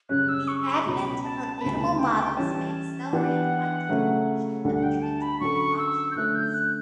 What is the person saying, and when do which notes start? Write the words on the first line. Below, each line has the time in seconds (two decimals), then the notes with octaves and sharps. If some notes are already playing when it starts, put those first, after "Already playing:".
The advent of animal models may accelerate identification of treatment options.
0.09 F#2 C#3 G3 C#4 F#6
0.28 E6
0.48 C#6
0.60 C#6
0.66 B5
0.86 C#2 B2 F#3 C#4 B5
1.23 A5
1.57 A5
1.61 D2 C#3 G3 B3 B5
1.80 A5
1.99 G5
2.18 G5
2.37 E3 G3 C#4 A5
3.13 E3 B3 D4 G4 F#5
3.89 C#3 F#3 A3 C#4
4.64 D2 D3 G3 D4 A4 F#5
4.75 F#5
4.83 G5
5.02 A5
5.22 B5
5.40 D3 F#3 C#4 F#4 A4 C#6
5.78 E6
6.11 G6
6.16 D3 A3 C#4 F#6
6.35 G6
6.54 F#6